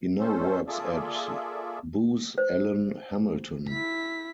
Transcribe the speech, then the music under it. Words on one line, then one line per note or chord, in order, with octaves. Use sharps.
He now works at Booz Allen Hamilton.
C#4 A4 C5
A#3 F4 G#4 A4 D5 E5
C5
E4 B6